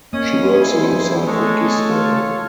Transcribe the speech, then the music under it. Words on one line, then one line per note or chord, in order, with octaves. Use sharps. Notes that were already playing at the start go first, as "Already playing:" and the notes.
She works alongside Ricki Stern.
A#3 C#4 D#5 D#6
E4 G#4 C5
F3
G#3 A3 A4 C#5
F4